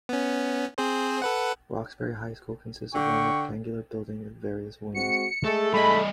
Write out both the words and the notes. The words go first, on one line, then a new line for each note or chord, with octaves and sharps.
Roxbury High School consists of one rectangular building with various wings.
B3 C#4
C4 G#4 C5
A4 B4 F#5
D3 G5 C#6
G#3 C4 F#4 C#7
G#3 A3 G#4 A4
G#2 G3 G#4 D#5 B5